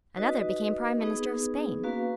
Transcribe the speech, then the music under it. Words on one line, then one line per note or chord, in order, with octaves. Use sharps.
Another became Prime Minister of Spain.
D#4 F#4 B4 D#5
B3 D#4 G#4 B4
A#3 C#4 F#4 B4 F5